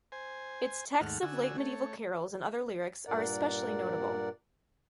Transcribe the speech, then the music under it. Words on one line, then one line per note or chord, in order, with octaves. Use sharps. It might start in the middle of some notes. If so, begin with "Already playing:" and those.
Its texts of late medieval carols and other lyrics are especially notable.
C5 G#5
D#2 G#2 A3 F#5 F6
D3 F#4 G#5 E6
A3 C#5
G2 A#2 A#4 D5 F#5